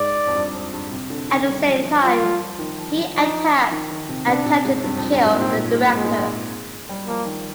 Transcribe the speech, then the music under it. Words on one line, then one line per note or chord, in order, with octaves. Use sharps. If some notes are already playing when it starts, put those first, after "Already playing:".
At the same time he attacked and attempted to kill the Director.
Already playing: G#2 D5
F2
G2
F2
G2
C3
D3
D#3
G3
F3
F3
G3 F4
F3
F3
D#3
F3
F3
F3 D#4
D#3
D#3
C3
C3 D4
C3
G#2
G2
F2
G2
G#2
A#2
G#2 C4
A#2
G#2
A#2
G#2
A#2
G#2
A#2 G#3
G#2
G3
F3 A#3
D#3